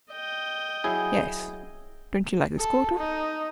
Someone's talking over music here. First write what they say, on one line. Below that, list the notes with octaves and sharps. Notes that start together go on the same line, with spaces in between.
"Yes; don't you like this quarter?"
D#5 G5
F#3 E4 G#4
A4
D#4